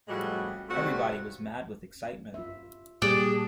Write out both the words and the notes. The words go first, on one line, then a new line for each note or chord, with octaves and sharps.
Everybody was mad with excitement.
A2 F3 G3 G#3 F#4
C3 G3 A3 C4 F4 F#4
F4 E5
A#2 G3 D4 G4 G#4